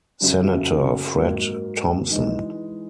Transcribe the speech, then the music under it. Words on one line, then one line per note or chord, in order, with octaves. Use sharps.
Senator Fred Thompson.
F#2 C#3 F#3
G#2 F#3 A#3
E3 G#3 D#4